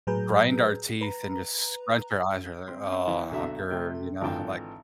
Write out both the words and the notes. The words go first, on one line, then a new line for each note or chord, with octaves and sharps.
grind our teeth and just scratch your eyes or there, ah, grrr, you know, like,
A2 F#3 G#4 B4 A#5 G6
B4 A#5
C4
E3
B1 D3 F#4 E5 A#5
C3 A3 G5
G#1 D3 E3 F4 G5 A5